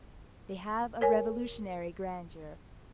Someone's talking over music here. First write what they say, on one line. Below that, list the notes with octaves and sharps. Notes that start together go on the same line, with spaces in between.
They have a revolutionary grandeur.
A#4 C#5 G#5